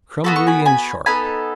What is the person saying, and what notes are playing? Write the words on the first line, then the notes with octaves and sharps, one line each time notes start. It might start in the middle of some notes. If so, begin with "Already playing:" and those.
Crumbly and sharp.
B3 F#4 A4 B5
C#6
G#5 B5
G#5 B5
B3 D#4 A4 G#5 B5